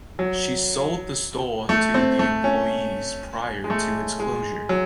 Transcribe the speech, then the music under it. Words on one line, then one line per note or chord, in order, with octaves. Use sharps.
She sold the store to the employees prior to its closure.
F#3
A3
C4
A3
C#4
G#3
A3
G#3
F#3